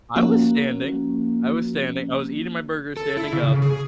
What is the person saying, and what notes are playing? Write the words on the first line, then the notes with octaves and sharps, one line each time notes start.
I was standing I was standing I was eating my burger standing up.
F3 A#3 C#4 F#4
A4
E4
C#3
C#3
G#4